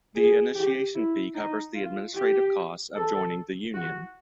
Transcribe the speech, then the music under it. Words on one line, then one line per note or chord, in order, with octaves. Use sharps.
The initiation fee covers the administrative costs of joining the union.
G#4
G4
E4
D#4
F4
G4
A4
F#4